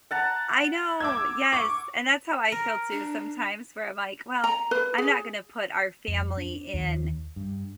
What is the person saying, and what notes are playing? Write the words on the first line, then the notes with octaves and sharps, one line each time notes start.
I know, yes, and that's how I feel too sometimes where I'm like, well, I'm not gonna put our family in
F#5 A5 A#5
D6 E6 G#6
C#6 D6
A#4
D4
A#5
B4
G#4
F2
D4
D#2
G2